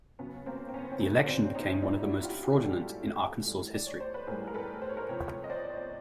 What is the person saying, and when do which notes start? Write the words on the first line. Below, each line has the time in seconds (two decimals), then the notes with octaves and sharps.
The election became one of the most fraudulent in Arkansas' history.
0.19 C#3 F#3 B3 C#4
0.46 A#3 C4
0.69 C4
0.74 B3 C#4
0.92 C4
1.00 C#3 F#3 B3 C#4
1.28 C4 D4
1.55 C#4 D#4
1.72 D#4
1.82 A#2 G3 D4 E4
2.03 E4 F#4
2.23 F4 G4
2.44 F#4 G#4
2.64 A#2 G3 G4 A4
3.46 A2 E3 G3
3.74 D5
3.87 C#5
4.00 C5
4.14 B4
4.27 A2 E3 G3 G#4 A#4
4.47 A#4
4.54 A4 B4
4.82 C5
4.89 C#5
4.97 A#4 C5
5.09 C3 F3 B4 C#5
5.44 D#5
5.50 C5 D5